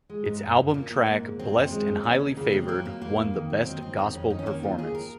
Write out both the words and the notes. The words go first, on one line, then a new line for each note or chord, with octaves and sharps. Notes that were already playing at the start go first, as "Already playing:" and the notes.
Its album track "Blessed and Highly Favored" won the Best Gospel Performance.
G#3
G#2
F#2
F#2
A#2 A#3
A#2
G#2
G#2
F#3 C4
F#2
G#3
A#2
D#2 C#4
D#2
C#3 A#3
G#3 C4
F#3 A#3
A#2 A#3
F2 A#3
F2
D#3
F#3
D#3 C4
D#3 C4
F2 C4
F2 C#4
D#3 D#4
C#4
D#3 A#3
D#2 F4
D#2 G#4
A#4